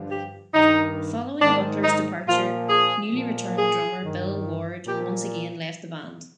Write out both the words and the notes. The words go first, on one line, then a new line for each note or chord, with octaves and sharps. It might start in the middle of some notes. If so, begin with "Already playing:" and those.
Following Butler's departure, newly returned drummer Bill Ward once again left the band.
Already playing: G2 D3 F3
G4
G2 D#3 D#4
G#2 D#3 D4
D#4
A#2 F3 F4
G#4
A#2 F3
G#4
G2 D#3
A#2 F3 G4